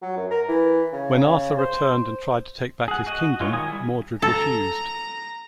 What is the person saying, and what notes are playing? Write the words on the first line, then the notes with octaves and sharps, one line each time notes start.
When Arthur returned and tried to take back his kingdom, Mordred refused.
F#3
F#2
A#4
E3
C#3
C5
G#4 F#5
F#4 D#5 F#5
G#3 F4 C#5
D#3 G#5 D#6
G3 E4
A4 A#5